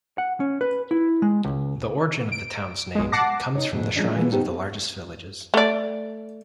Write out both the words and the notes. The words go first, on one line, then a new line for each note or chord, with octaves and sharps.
The origin of the town's name comes from the shrines of the largest villages.
F#5
C#4
B4
E4
G#3
C#2
D7
B1 G#3
F#5 A5 D6 A#6 C7
D#4 C#5
F2 G#2 D3 A3
F3 F#3 G#3 C#4 D4 F4
E3 F3 G#3 A3 B3 E4
B3 D#4 F#4 G4 A4 C5
A3 D5